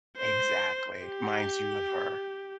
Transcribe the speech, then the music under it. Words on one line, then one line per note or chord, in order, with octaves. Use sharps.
Exactly, minds you of her.
C5
G4